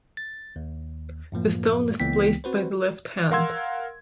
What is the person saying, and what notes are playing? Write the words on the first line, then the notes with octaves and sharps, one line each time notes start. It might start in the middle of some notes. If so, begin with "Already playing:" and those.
The stone is placed by the left hand.
A6
D#2
F#2 A2 F3 A#3
C#2 E3 A#3 B3 G5 B6
C4 F#4 B4 C5
A#4 F5 F#5 C6 E6 G#6